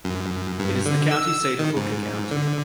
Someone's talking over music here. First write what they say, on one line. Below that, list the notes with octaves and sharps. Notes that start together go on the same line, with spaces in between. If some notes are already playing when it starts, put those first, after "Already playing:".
It is the county seat of Hooker County.
F#2
G2
D3
E6
D#3
G#2
D3